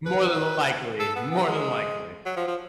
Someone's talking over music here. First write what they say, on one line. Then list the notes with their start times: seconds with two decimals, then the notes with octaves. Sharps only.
More than likely. More than likely.
0.06 B4
1.00 A4
1.16 B3
1.31 B3
1.47 G#3
2.26 F#3
2.36 F3
2.47 F3